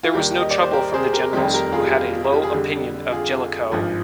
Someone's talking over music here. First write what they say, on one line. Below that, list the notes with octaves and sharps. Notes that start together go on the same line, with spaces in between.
There was no trouble from the generals, who had a low opinion of Jellicoe.
F4
D#2 D#3 G3 G4
D#5
D5
C5
G4 A#4
G#4 C5
G4 A#4
F1 F2 D#3 G3 G4
G4 A#4
F4 G#4
G4
F4
G4
G#4
F2 D3 G3 G4
F4 G#4
G#1 G2 F3